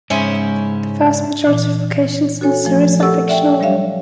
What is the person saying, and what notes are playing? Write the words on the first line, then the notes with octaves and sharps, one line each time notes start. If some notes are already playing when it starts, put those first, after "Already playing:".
The vast majority of locations in the series are fictional.
G#2 C#3 G#3 C#4 E4 C5
A#2 E3
F#4 A4 C#5 G#5
F3 A3 G#5
G4 A4 A#4 F#5 C#6 E6
D5 E5 F5 G5
F#3 G3 G4 C#5 E5 F5